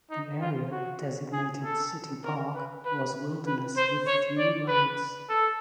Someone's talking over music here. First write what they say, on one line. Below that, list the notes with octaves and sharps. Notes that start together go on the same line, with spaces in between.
The area, designated "City Park", was wilderness with few roads.
D#4
F4
F#4
G#4
A4
A#4
B4
B4
B4
C5
C#5
D5
B4
A4